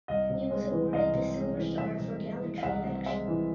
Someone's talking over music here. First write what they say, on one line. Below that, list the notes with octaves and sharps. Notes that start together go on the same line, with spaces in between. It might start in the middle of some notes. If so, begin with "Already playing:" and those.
He was awarded the Silver Star "for "gallantry in action.
C2 D#5 F5
C3
G#3
E3
C2 D#5 F5
C3
G#3
E3
C2 E5
C3
G#3
E3
F5
C2 E5 F#5
C3
G#3 E5
E3